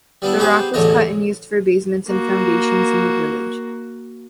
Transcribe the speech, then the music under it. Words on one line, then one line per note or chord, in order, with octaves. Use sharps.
The rock was cut and used for basements and foundations in the village.
G3 B3 D4 E4
B3 G4 G#4 B4 C5
A1 E2 D3 A3 C#5 D#5
A#3 F#4